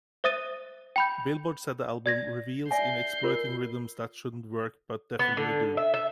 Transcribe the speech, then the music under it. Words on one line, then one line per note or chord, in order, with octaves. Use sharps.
"Billboard" said the album "revels in exploiting rhythms that shouldn't work-but definitely do".
C5 E5 D#6 A6 D#7
G5 B5 G6
D5 G#6 A#6
D5 E5 G#5 G6 C7
F4 A#4
B3
D3
E5
E5